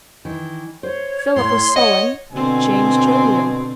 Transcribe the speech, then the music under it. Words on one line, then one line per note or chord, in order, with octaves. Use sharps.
Philip was sullen, James jovial.
D#3 E3
C5 C#5
A2 C6
C#5 D#5 F#5
B2 D3 C4 G#5